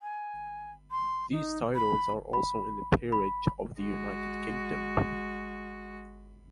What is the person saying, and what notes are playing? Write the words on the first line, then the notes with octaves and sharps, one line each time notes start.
These titles are also in the Peerage of the United Kingdom.
G#5
C6
D#4
B5
B5
B5
G#3 F#4